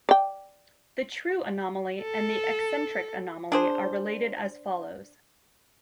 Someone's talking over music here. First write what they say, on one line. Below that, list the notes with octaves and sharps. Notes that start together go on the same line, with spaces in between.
The true anomaly and the eccentric anomaly are related as follows.
D5 G5
A4
D4 G#4 C5